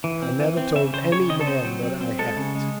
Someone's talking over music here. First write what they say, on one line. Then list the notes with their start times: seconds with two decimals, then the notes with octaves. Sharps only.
"I never told any man that I had it."
0.04 E3
0.22 C4
0.40 E3
0.57 C4
0.76 C#3 E5
0.93 C#3 C5
1.12 C#3 C#5
1.29 C4 D#5
1.41 A4
1.47 C4 C5
1.65 F#3
1.83 C4
2.01 C4
2.19 G#3 A4
2.37 C#3
2.55 G#3